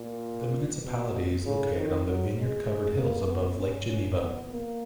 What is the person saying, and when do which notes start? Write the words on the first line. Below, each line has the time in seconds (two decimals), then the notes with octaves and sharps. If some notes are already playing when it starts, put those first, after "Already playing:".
The municipality is located on the vineyard covered hills above Lake Geneva.
Already playing: A#2
0.85 B2
1.46 C#3
1.76 D#3
2.07 F#3
2.37 G#3
2.67 G#3
2.98 A#3
3.28 B3
3.58 C#4
3.89 C#4
4.20 B3
4.51 A#3